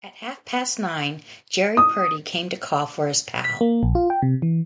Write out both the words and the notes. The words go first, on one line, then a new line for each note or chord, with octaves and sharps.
At half-past nine Jerry Purdy came to call for his pal.
D#6
B6
A#3
A#1
F4
G5
C3
E3